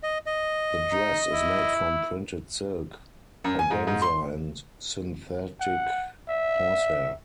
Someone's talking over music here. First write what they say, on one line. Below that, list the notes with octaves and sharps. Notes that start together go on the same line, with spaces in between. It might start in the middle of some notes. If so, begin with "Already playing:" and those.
The dress is made from printed silk organza and synthetic horsehair.
D#5
D#5
D#4
E4
F#2
G#5
G#2
G#2
C6
F#5
E5